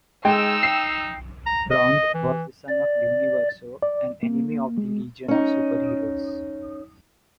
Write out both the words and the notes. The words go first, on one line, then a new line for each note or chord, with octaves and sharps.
Rond was the son of Universo, an enemy of the Legion of Super-Heroes.
G#3 D#4 G5 E6
C7
A#5
D#5
E3
D5
D5
A#3
G#3
C#4 D#4